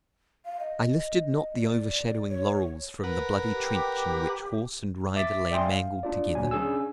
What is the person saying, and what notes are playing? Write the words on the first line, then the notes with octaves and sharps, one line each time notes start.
I lifted not the overshadowing laurels from the bloody trench in which horse and rider lay mangled together.
F5
D#5
D5
C#5
A#4 B4 F#5
G4
E5 D6 A6 B6
D5 E5 G5 G#5 C6 D#6
F5
D4 F4 D5
D2 A#2 F#3 G#5
C#4 D4 G#4 G#5 E6